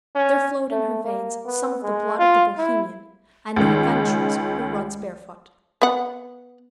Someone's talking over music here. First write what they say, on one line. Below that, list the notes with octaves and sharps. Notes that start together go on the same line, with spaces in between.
There flowed in her veins some of the blood of the bohemian and the adventuress who runs barefoot.
C#4
A3
A#3
B3
G#3
F4
E4
C#2 D#3 G#3
B3 F#5